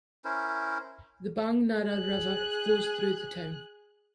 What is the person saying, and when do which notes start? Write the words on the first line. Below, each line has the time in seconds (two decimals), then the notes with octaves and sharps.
The Bang Nara River flows through the town.
0.25 C#4 E4 A#4 C5
1.88 G#4 F#6